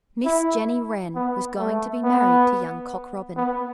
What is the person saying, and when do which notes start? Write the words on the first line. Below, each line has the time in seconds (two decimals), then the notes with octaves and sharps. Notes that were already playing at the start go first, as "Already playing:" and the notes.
Miss Jenny Wren was going to be married to young Cock Robin.
0.25 E4
1.15 B3
1.59 A3
2.03 B3
3.36 B3